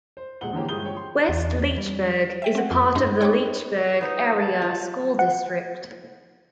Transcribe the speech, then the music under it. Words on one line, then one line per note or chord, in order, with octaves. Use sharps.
West Leechburg is a part of the Leechburg Area School District.
C5
D#1 G#3 F#5 G7
D3 E3 F3 A#3 C#4 G4
G2 F3 G#3 D#6 G6 G7
C#5 G5
C6
E2
G3
E5 G5 B6
C4 F#5
F2
G2 C#4 D#4 C6 A#6
D#4 C#5 G5 B5 C#6 D6
B3 D#4 C5
A5
F4 D#5
F#5